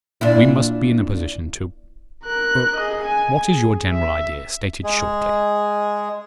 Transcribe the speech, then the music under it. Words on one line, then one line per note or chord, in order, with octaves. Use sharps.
We must be in a position to--What is your general idea, stated shortly?
A#2 D4 E4
A#4 F#6
G#4 D#5
G#5
G#4
E5
G#3 G#4